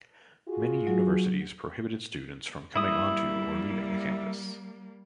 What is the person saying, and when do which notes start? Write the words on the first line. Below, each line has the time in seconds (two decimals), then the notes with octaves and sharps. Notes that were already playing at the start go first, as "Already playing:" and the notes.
Many universities prohibited students from coming onto or leaving the campus.
0.48 F4 F#4 G#4
0.87 F#3
2.76 G3 A#3 E4 D#6